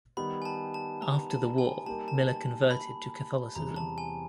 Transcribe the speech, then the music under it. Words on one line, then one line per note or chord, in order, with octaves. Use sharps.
After the war, Miller converted to Catholicism.
D#3 G3 B3 B5
G#5
A5
A5
A#5
A5
G#5
G3 A#3 D#4 G4 A#4 A5
A5
A5
B5
E2 C3 E3 G3 A#5
A5
G#5